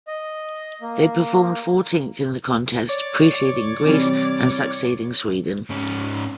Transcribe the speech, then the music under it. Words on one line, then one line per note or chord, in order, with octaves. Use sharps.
They performed fourteenth in the contest, preceding Greece, and succeeding Sweden.
D#5
A#3
C#5 D5
C3 E3 G3
G#2 C#4